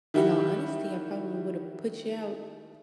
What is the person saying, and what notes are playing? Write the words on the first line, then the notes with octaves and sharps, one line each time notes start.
in all honesty, I probably would have put you out
D#3 G3 E4 F#4 G4